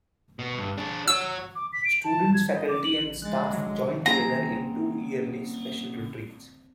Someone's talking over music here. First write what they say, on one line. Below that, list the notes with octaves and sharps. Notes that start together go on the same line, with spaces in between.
Students, faculty, and staff join together in two yearly special retreats.
B2
G2
D4 G#4
F#4 C#5 E6
D6
B6
D7
A5
G#6
D#5
D6
F#7
G#3 F#6 A6
D3 F#3
A#3 C4 C#4 G#4 A#5